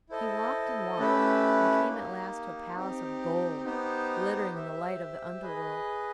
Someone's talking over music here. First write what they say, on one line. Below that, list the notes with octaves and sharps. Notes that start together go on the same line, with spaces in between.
He walked and walked, and came at last to a palace of gold, glittering in the light of the underworld.
E4 A4 C5 D#5
A3 C#4 E4 G4 B4
A#3 D#4 G4
C4 D#4 G4
B3 D#4 G4 C5
G4 C5 E5
G#4 B4 D#5